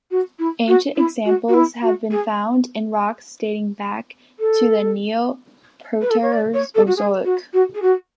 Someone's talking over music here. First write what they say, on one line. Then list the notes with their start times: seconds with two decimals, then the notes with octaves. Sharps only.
Ancient examples have been found in rocks dating back to the Neoproterozoic.
0.10 F#4
0.38 E4
0.67 F#4
0.96 E4
1.25 F#4
1.48 F#4
1.53 E4
1.82 F#4
2.10 G#4
4.39 A4
6.01 B4
6.10 A4
6.22 C#5
6.32 D5
6.53 C#5
6.74 A4
6.86 F#4
6.96 G#4
7.24 F#4
7.53 F#4
7.74 G#4
7.82 F#4